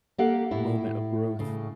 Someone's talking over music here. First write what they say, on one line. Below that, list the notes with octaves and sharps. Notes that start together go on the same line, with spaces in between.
moment of growth
A#3 G4 A4 F5 F#5
A2 E4
A2 C#3